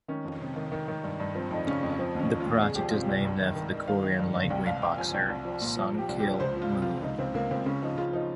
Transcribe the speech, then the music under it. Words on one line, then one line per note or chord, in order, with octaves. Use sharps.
The project is named after the Korean lightweight boxer Sung-Kil Moon.
D#3 C#4
F2
C3
D#3
D#3
D#3
G2
G2
F3 C4
F2 D#4
C#3 C#4
F2
C#4
F3 C4
D#2 C#4
F3
F4
D#2
C2 G#4
F3 G4
C3 F4
G4
C2
G2
D#3
D#3
D#3
D#3 F5
D#3
G2
G2
C2 G5
C2 F5
C2 G5
F3 G#5
C2 G5
C2
F3
A#2
F3
F3
G4
C2
G4
F3
C#2 C5
F3
F4
C3
F3 F4
C#2 D#4
C#2 C4
C#2 A#3
C#2 C4
C#3 C#4
F3 D#4
C#3 F4
F3 D#4